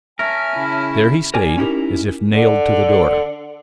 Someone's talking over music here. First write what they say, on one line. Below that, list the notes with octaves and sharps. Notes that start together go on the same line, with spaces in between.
There he stayed as if nailed to the door.
C#4 A#4 E5 G#5 A5 F6
C#3 E4
A#4 D5 G#5
C#4 D#4 E4 F#4 G4 A#4
D3